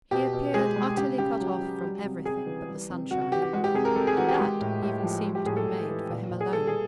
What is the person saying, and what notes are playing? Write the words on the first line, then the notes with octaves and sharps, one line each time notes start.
He appeared utterly cut off from everything but the sunshine, and that even seemed to be made for him alone.
B2 G4
B2
G#3 G#4
G#3
C#3 G4
C#3 G4
F#3
F#3
G3
C3
C3 G#4
E3
G3
C3
C3 F#4
F#4
E3 G4
G4
G#3 F#4
G4
C3 G#4
A#4
C3 A4
G#4
E3 F#4
G4
G#3
A2
A2
F3
G#3
G4
A2 G#4
A4
A2
E3
A#2
A#2
G#4
G3 A4
G#4